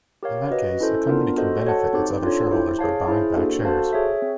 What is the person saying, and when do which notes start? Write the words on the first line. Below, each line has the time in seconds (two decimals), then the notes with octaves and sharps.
In that case a company can benefit its other shareholders by buying back shares.
0.23 G4 A#4 C#5 F5
0.51 F#4 B4 D#5
0.80 C#4 E4 A4 C5
1.08 B3 D4 F4 A#4
1.37 F#4 A4 C5 D#5
1.65 F#4 A4 C#5 F#5 A5
1.93 C4 D#4 G4 C5
2.23 D4 F4 A4 C#5
2.51 E4 G4 C5
2.79 G#4 C#5 F5 A5
3.08 E4 G#4 C5
3.36 A#3 D4 F#4 A4 C5
3.65 F#4 A4 C5 F5 A5
3.93 G#4 C#5 E5
4.22 C4